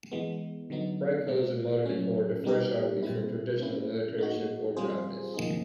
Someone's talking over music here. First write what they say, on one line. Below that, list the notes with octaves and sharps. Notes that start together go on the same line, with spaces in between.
Bright colors and modern decor differ sharply from traditional military shipboard drabness.
E3 G#3 B3
D3 F#3 B3 D#4
B2 G#3 B3
F#3 A3 C#4
G3 B3 D#4 G4 A#4
A#2 G3 C4 E4
A#3 C#4 E4
A#3 D#4 F#4
G3 C4 F4 G#4 C5
F3 A#3 D#4 G#4